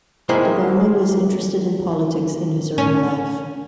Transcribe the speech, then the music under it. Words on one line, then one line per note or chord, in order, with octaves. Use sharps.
Debbarma was interested in politics in his early life.
D#3 G#3 A#3 E4 G#4 C5
C#4